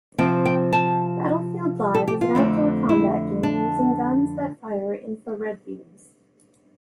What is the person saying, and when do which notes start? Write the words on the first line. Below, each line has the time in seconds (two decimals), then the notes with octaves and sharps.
Battlefield Live is an outdoor combat game using guns that fire infra-red beams.
0.18 C3 F3 C4 G5
0.45 G5
0.73 A5
1.94 A4
2.08 G4
2.21 F4
2.35 F2 D3 A3 C4
2.89 E4
3.43 D4